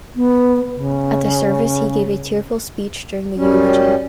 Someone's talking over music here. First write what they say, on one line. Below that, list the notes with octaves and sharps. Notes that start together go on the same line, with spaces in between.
At the service, he gave a tearful speech during the eulogy.
B3
C#3
F#2 G3 C#4